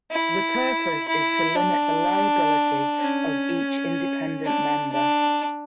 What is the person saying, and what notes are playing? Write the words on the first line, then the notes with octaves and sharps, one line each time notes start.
The purpose is to limit the liability of each independent member.
E4
E4
D4
C#4
D4
D4